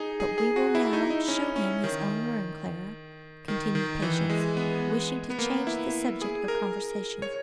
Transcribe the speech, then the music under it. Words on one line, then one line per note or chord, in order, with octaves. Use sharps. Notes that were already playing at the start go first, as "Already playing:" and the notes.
"But we will now show him his own room, Clara," continued Patience, wishing to change the subject of conversation.
Already playing: D#4 G#4
G#4
G#4
F#4
E4
D#4
D#4
C#4
C#4
D#3
D#3
D#3
E3
G#3
B3
B3
A#3
E4
G#4
A#4
C#5